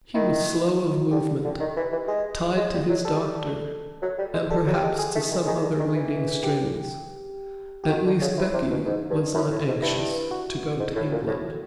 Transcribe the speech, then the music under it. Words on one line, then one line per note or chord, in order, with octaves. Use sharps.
He was slow of movement, tied to his Doctor, and perhaps to some other leading-strings. At least Becky was not anxious to go to England.
D#3 E4
D3 G4
D3
D#3
E3
E3
G#3 G#4
G#3
G3
F#3
G3 A4
F#3
G3
G#3
G3 A4
F#3
G4
G#3
G#4
A3
D#3
D#3 G#4
D3
D#3
E3
G4
G4
D#3 F#4
D3
C#3
C3 E4
C3
B2
G#2 D#4
G2
F#2 E4
A2
G#2
G2 E4
F#4
G#2
A2
A#2
A2